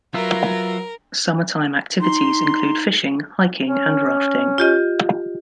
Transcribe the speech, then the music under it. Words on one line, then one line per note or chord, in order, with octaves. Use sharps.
Summertime activities include fishing, hiking, and rafting.
F#3 F4 A#4 B4 E5
D#4 C6
C#4
F4 G4 D#5